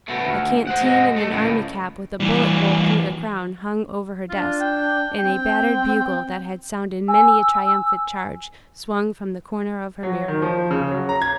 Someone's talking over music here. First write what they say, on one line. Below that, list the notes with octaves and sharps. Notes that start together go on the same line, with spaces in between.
A canteen and an army cap with a bullet-hole through the crown, hung over her desk, and a battered bugle, that had sounded many a triumphant charge, swung from the corner of her mirror.
B2 A3
D2
C5 F#5
G#3 F#4
A3
C#2 A2
E3 G3
D4 F4
G5
C4 G5
G#5 E6
F#3
D#3
F3
C#3
F#3
A#5
G#6